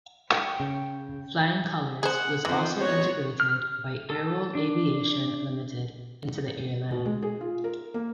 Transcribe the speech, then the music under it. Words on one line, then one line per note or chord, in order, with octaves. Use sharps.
Flying Colours was also integrated by Airworld Aviation Limited into the airline.
G5 C#6
C#3
G#4 C5 F#5
F2 E3 B3 C5
B3 D#4 F#4 C#5
F6
A4
D4
B2
G#3
G#4
F4
A#4
A#3